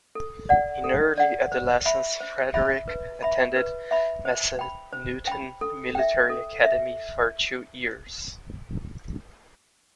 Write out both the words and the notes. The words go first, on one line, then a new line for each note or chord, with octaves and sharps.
In early adolescence, Frederick attended Massanutten Military Academy for two years.
A4
D5 F#5
A4
D5 F#5
C5
E5 B5
C5
E5 B5
B4
E5 B5
B4
E5 B5
C5
G5 B5
C5
G5 B5
A4
E5 G5
A4
E5